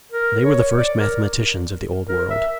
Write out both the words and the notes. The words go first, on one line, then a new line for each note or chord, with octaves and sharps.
They were the first mathematicians of the Old World.
A#4
C#5
D5
A#4
A#4
E5